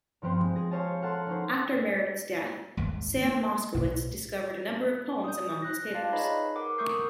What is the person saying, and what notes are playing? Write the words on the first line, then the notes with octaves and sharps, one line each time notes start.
After Merritt's death, Sam Moskowitz discovered a number of poems among his papers.
G2 F3 B3 C4
G#3 C4
G#4 A#6
C5 C#5 F5 G#5 A5
A4 A#4 F#5 A5 C6
C#4 D#4 C5
D#1 G#1 D#2 G#2
A#3
B1 A2
D#6 G6
F#6 A#6
F4 D5 F5 A5
D#4 G#4 B4 C#5 D#5 B5
A#4 F#5 D6
A3 A#4 C#6 D#6 G6 C7